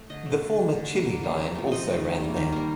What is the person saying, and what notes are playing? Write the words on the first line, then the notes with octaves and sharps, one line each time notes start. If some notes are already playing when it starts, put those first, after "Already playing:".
The former Chili Line also ran there.
Already playing: A3
D3 D#5
A3
D3
A3
D3
G3 A#3
D3
G3 A#3
C3
F3 A3
C3 D#5
F3 A3
D#3
G3 A#3
D#3
G3 A#3